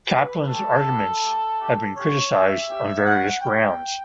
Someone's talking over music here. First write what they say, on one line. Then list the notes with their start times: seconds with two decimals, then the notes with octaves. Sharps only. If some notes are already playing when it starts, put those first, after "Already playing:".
Kaplan's arguments have been criticised on various grounds.
0.11 A3 E4 G4 B4
0.48 A3 C#4 G4 A4
0.85 B3 E4 G4
1.21 A3 E4 G4
1.58 A3 D4 G4
1.95 C#4 G4 C#5
2.32 G3 C#4 G4 E5
2.68 C#4 G4
3.05 A3 C#4 E4 G4 F#5
3.41 G3 C#4 E4 G5